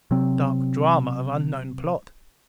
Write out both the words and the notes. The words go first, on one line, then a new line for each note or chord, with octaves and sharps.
Dark drama of unknown plot!
C3 F#3 C4